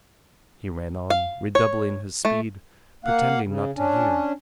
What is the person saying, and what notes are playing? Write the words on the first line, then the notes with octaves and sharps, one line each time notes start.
He ran on, redoubling his speed, pretending not to hear.
F5
C#5
A3
A#3 F5 F#5
C#3
C#4 D4